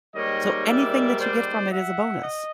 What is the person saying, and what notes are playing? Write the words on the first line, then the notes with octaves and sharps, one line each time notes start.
so anything that you get from it is a bonus.
G#2 D#3 G3 A#3 C#5 D#5
D5 E5
C5 D5
E5 F#5
D#5